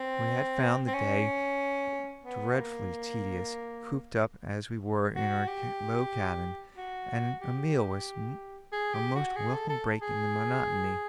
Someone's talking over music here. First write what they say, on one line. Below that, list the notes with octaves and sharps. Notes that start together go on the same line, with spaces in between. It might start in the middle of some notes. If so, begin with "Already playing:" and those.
We had found the day dreadfully tedious, cooped up as we were in our low cabin, and a meal was a most welcome break in the monotony.
Already playing: C4
C4
C#4
B3
A#3
F#4
G4
F#4
G4
G#4
G4
F#4
G#4
A4
A4
G#4